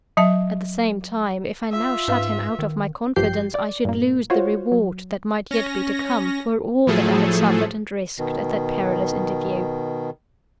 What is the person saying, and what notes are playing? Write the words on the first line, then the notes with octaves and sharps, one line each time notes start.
At the same time, if I now shut him out of my confidence, I should lose the reward that might yet be to come, for all that I had suffered and risked at that perilous interview.
F#3 E5 A5
F4 E5
G#2 C#4 B4 F5
D#3
A1 G2 F3 G4 G6 C7
D5
G2 A#2 A#3
F4 F#4 C5 C#5
F#3
C#4 A#6
A2 F3 F#3 A3 G#4 A4
B2 D#3